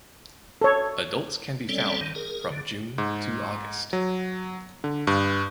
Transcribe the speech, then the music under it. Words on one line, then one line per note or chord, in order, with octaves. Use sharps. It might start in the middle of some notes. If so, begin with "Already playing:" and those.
Adults can be found from June to August.
A4 C#5
G3 C4 C#4 A4 C#5 D5
D#3
G#4 A#4
D3
G#2
F#3
D3
G2